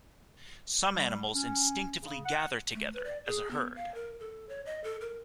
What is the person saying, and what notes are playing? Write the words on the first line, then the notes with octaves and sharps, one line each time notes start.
Some animals instinctively gather together as a herd.
G3
C#4
C#3
F#5
A3
B4
D5
G#4
B3
F5
A#4
A4
C#5
D#5
A4
A#4